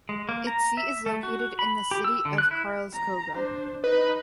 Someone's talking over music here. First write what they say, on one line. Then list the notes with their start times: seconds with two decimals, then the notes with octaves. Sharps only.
Its seat is located in the city of Karlskoga.
0.09 G#3
0.29 A#3
0.47 A#5
0.77 E5
1.06 A3
1.23 F#4
1.59 B5
1.91 G4
2.05 E6
2.25 D3
2.38 F#6
2.51 E4
2.93 A#5
3.33 D4 C5
3.84 D#4 B4 D#5